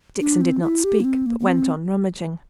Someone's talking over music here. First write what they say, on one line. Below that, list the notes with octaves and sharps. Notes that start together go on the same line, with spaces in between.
Dixon did not speak, but went on rummaging.
D4
C4
E4
G4
A#3
C4
A#3
A#3
C4